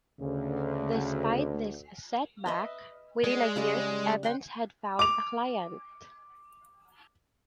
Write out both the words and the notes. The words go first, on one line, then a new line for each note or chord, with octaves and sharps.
Despite this setback, within a year Evans had found a client.
D2 C#3
B4 D#5 E5
G#3 G#4 D5
C#3 G3 D5
F#5 G5 C6
D6 F7